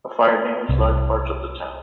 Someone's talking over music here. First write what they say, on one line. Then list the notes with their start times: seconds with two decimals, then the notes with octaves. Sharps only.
A fire damaged large parts of the town.
0.69 C2